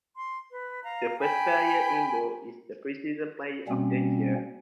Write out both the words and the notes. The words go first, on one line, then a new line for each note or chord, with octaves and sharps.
The first player in bold is the preseason player of the year.
C6
B4
F5 A#5
G5 G#5 B5
B2 G3 A#3 C4 C#4